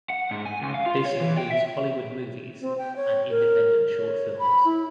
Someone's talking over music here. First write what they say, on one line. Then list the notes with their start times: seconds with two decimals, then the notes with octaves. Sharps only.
This includes Hollywood movies and independent short films.
0.10 F#5
0.31 G#2
0.45 G#5
0.62 C#2
0.74 F5
0.86 F4
1.05 C#5
1.20 E3
1.37 G5
1.51 E5
2.60 C4
2.78 G5
2.96 C#5
3.30 A#4
3.97 C#5
4.39 B5
4.65 E4